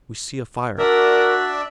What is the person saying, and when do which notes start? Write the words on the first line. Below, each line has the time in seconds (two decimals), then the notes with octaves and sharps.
We see a fire.
0.79 D4 F#4 A#4 D5 E5